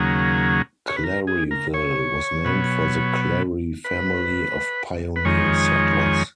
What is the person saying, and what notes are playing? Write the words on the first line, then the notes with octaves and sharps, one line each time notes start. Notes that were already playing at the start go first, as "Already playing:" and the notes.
Claryville was named for the Clary family of pioneer settlers.
Already playing: D#2 C#3 F#3 A#3 G#4
C#5
B4
A#4
G#4
A#4
C#5
B2 F#3 B3
B4
B4
F2 D#3 G#3 C#5